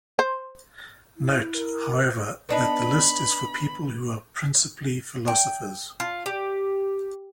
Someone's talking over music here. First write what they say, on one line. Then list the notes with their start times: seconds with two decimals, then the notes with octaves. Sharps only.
Note, however, that the list is for people who are "principally" philosophers.
0.19 C5
1.17 E4
1.55 A#4
2.49 B3 D4 D#4 B5
5.28 G5
6.00 F4
6.26 G4